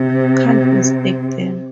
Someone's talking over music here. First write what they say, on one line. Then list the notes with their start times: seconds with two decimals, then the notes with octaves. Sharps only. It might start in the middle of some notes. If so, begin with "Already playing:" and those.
Can't mistake them.
Already playing: C3